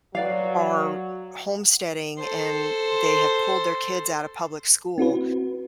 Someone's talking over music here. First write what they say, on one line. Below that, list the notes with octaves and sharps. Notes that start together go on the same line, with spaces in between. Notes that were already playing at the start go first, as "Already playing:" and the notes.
are homesteading and they have pulled their kids out of public school,
F#3 B4 D5 F5
A4 C5
C4 E4 F#4 B4